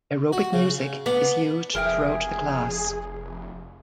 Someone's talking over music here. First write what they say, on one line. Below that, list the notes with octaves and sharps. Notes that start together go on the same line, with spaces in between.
Aerobic music is used throughout the class.
F#4
C#3
B3 D4
F1 G#4 A#4 E5 G5